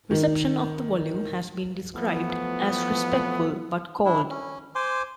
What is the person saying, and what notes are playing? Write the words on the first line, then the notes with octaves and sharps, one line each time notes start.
Reception of the volume has been described as respectful but "cold".
D#3
E3 F3 A3 B3
D4 E4
C#4
C5 G#5 C6 D6